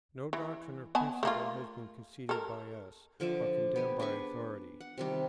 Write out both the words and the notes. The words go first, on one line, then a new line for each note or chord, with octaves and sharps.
No doctrine or principle has been conceded by us, or condemned by authority.
E3
B3 G#5 A5
A3 A#3 F4
A4 A#4
D3 F3 D5 E5
B3 D4 G4 G#5
D4 G#4 B4 C#6
F#5
C3 D#3 G3